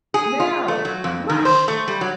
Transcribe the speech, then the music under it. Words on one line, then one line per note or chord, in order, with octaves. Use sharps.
"Now, MUSH!"
G#4
F4
A3
F#3
F2
D#3
C5
A3
G3
F#3